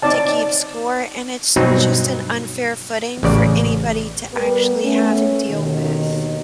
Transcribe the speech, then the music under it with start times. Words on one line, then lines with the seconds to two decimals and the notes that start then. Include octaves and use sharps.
to keep score, and it's just an unfair footing for anybody to actually have and deal with.
0.02 C4 D#4 C#5 D5 A5
1.56 G2 B2 F#3 C4 D#4
3.23 A1 C#3 D5
4.33 G3 B3 G4 A#4 B4
4.84 A3 B3 C#4
5.49 D#2 B2 D3 D#3